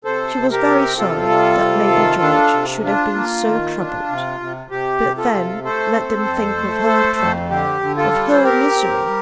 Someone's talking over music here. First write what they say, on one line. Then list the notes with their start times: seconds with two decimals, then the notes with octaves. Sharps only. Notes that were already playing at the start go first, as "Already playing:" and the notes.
She was very sorry that Lady George should have been so troubled;--but then let them think of her trouble, of her misery!
0.05 C3 A4 C5
0.36 C3
0.51 G4 A#4
0.67 C4
0.97 C3 F4 A4
1.30 G3
1.61 C3
1.90 D#3
2.22 D4
2.53 C3
2.84 D4 F4
3.15 A#3
3.46 D#3
3.78 D4
4.09 C3
4.40 C3
4.70 C3 G4
5.02 C3
5.17 F4 A4
5.32 C3
5.63 A3 A4 C5
5.95 C4
6.26 F2
6.57 A3
6.89 A3
7.19 F2
7.50 D3 G4
7.82 D3
7.97 F4 A4
8.12 G3
8.32 C5
8.43 C4 G4 A#4
8.75 C4
9.06 G3